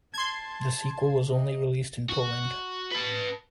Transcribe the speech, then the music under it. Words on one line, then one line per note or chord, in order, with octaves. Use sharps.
The sequel was only released in Poland.
A5 C6 G#6
D#5
F#4
B4 A5